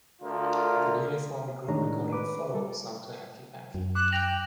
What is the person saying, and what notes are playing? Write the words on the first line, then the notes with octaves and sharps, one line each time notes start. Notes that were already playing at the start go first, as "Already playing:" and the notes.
The newly formed group recorded a follow-up song to "Hanky Panky".
D2 D3 F4 A#4
A2 D#3 G#3 D4 C#5 A#5
B4 D6
G3 A4
F#2
D6 F#6
G5 A#6 F7 F#7